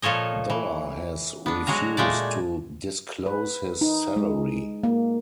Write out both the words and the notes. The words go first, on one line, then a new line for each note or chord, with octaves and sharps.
Dollar has refused to disclose his salary.
A#2 F3 A4 C#5 D#5
E3
B3 D4
F#3 G#3 F#4 A#5
A#2 G#3 A3 D5
B4
D#4
G#3
A#3